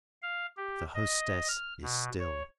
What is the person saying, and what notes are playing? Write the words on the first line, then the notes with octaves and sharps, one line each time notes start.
The hostess is still.
F5
G4
D#5
F6
B2
C#5